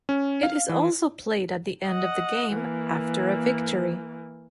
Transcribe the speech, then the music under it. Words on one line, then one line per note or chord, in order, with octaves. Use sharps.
It is also played at the end of the game, after a victory.
C#4
F5
E3
D#5 F#5
E3 A#3